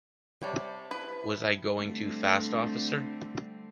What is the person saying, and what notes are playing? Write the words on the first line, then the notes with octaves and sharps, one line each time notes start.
Was I going too fast, Officer?
C3 G3 C#5 G5 A5
E4 B4 B5
D3 G3 A3 C4